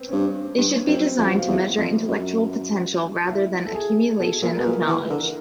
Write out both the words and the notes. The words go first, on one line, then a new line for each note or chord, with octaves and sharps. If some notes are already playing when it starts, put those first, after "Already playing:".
They should be designed to measure intellectual potential rather than accumulation of knowledge.
Already playing: B3 C4
C#4
G2 C4
G2 B3
C#4
F#2 C4
F2 F#4
F#4
F4
E2 E4
F2
F#2
E4
A4
G#4
B2 A4
A#2 A#4
B2 B4
A#2 A#4
E3 B4
D3 A#4